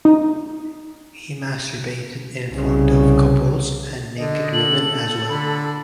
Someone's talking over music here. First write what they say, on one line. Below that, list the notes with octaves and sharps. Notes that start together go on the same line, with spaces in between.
He masturbated in front of couples and naked women as well.
D#4
C2 C#3
D3 D#5
A4 F#7
D3 B5